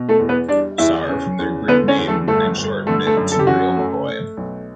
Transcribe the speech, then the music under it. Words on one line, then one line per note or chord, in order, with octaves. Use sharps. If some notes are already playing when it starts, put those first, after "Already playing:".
Sar" from their group name and shortened it to "Real McCoy.
Already playing: B2
A3 A4
E2
B3 B4
G3 D4 D5
E2 E4 E5
C#4
E2
D3 B3 B4
C#4 C#5
E2
A3 A4
G1 A3 A4
G1
D3 A3 A4
A3 A4
F#2
A4
G4
C#4 F#4
A3
A3
B1